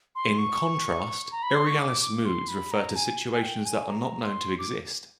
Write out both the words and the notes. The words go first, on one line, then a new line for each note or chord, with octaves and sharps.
In contrast, irrealis moods refer to situations that are not known to exist.
C6
C#6
A#5
B5
C6
C#6
D6
D6
C6
B5
A#5
G#5
G#5
G5
G#5
A#5
C6
D6